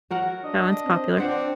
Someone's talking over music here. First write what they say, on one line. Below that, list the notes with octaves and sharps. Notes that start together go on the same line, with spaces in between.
that one's popular.
F#3 F#4 A#4 F#5
D4 D#5
C4
C4 D4 C5 D5 F#5